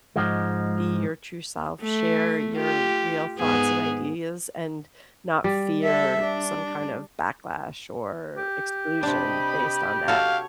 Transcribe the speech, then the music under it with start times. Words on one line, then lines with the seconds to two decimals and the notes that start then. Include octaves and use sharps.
be your true self, share your real thoughts and ideas, and not fear some kind of backlash or exclusion based on that.
0.16 G#2 F3 G#3
1.81 A3
2.55 F4 G4
3.39 G#2 B3 G#4
5.44 G3
5.84 A4 E5
6.23 D4
8.37 G4
9.03 C3 D4 D#5 B5
10.08 F#4 A4 C#5 F5